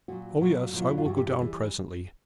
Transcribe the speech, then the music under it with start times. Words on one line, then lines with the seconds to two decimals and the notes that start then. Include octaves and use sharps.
'O yes, I will go down presently.
0.08 A#2 F#3 F#4
0.41 A#2 F#3 F#4
0.73 A#2 F#3
0.82 F4
0.90 E4
0.98 F4
1.05 G2 E3 G3 F#4
1.17 G4
1.27 G4
1.38 E3 G3 G#4